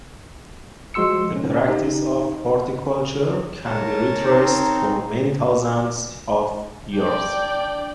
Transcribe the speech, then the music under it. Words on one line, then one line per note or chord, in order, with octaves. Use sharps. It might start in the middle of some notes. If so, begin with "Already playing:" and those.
The practice of horticulture can be retraced for many thousands of years.
F3 G#3 F#4 C6 E6 C#7
C#4
D#4 G4
A#4 C#5 A5
C4 D#4
D4 D5 G5